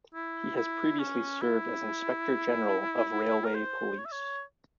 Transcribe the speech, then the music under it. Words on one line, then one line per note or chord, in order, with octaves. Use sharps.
He has previously served as Inspector General of Railway Police.
E4
E4
C#4
E4
A#4
C5
C#5
E5
C#5